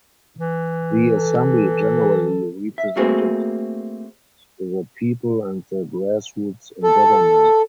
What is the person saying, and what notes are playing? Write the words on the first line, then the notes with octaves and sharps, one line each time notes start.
The assembly generally represented the people and the grassroots in government.
E3
A4
E5
A3 A#3 C4 F#4 G#4
A4